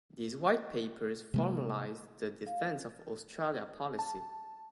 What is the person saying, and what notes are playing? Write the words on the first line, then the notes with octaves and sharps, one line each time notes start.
These white papers formalised the Defence of Australia policy.
C3 G#3 A#3
F5
A5